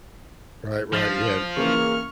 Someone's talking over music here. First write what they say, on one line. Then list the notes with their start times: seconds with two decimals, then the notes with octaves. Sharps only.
Right, right, yeah,
0.93 F3 F6 A6 B6
1.57 C#3 E3 A#3 C#6 F6